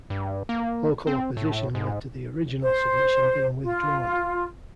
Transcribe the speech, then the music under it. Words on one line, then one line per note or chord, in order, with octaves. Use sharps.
Local opposition led to the original submission being withdrawn.
G2
A#3
C4
A2
G#2
C5
F4